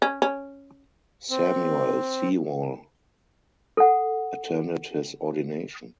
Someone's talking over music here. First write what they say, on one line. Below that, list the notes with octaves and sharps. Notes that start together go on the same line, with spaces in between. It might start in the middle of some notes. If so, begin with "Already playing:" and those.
Samuel Sewall attended his ordination.
C#4
C#4
C4
A4 F#5